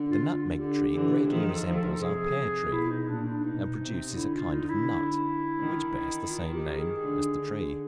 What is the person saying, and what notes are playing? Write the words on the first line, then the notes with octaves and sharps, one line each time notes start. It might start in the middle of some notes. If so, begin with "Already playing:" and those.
The nutmeg tree greatly resembles our pear tree, and produces a kind of nut, which bears the same name as the tree.
Already playing: D3
F4
F4
D3 G4
D3 E3
D#3 F3 G#4
A4
D#3 F3
A4
C3 G#4
B2 E4
D#4
A#2 D4
D4
B2 D#4
C3
D3 E4
F4
D#4
E4
D#3
D#3
F4
G4
G#4
D3
D3